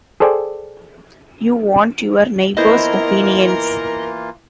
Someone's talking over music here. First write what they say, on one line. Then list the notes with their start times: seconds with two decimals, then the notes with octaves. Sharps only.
You want your neighbours' opinions.
0.20 G#4 A4 C5 D5 G5 G#5
2.57 E3 A#3 B3 E4 F4 A#4 C5 D#5